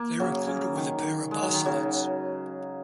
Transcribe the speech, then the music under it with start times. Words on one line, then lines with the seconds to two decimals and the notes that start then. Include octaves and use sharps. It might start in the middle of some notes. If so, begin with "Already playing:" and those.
They are included with the Parabasalids.
Already playing: A#3
0.19 C#3 F#3
0.47 C#3
0.76 D#3
1.03 D#3
1.31 G#3
1.42 F#3
1.54 D#3
1.65 C#3 F#3